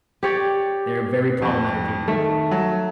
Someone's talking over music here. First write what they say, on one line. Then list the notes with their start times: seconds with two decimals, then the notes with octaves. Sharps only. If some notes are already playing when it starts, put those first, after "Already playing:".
They're very problematic people.
0.23 G4 C#5 D5
1.42 F2
2.08 D#3 A3
2.51 F#3